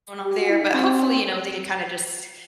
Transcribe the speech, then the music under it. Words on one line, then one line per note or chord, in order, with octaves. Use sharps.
going on there, but hopefully, you know, they can kinda just
G4
F#4
E4
D#4
C4